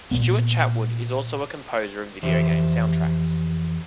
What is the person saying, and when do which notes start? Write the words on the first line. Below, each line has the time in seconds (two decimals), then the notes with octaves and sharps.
Stuart Chatwood is also a composer of video game soundtracks.
0.11 A#2 A#3 B3
2.23 F2 E3 G4 C5 E5